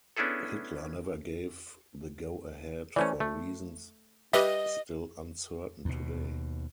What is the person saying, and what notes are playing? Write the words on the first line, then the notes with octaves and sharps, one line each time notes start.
Hitler never gave the go-ahead, for reasons still uncertain today.
B3 C#4 D4 E4 G#4 A4
E3 A3 C#4 C5 D5
A3
G3 G4 B4 D#5 E5
D#2 B2